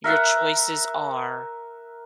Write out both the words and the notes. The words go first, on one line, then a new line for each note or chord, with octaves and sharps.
your choices are
A#4 E5 F#5